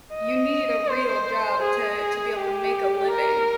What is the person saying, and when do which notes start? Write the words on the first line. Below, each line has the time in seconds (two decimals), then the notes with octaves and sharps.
you need a real job to to be able to make a living.
0.14 D#5
0.88 C5
1.62 G#4
2.36 G4
3.10 A#4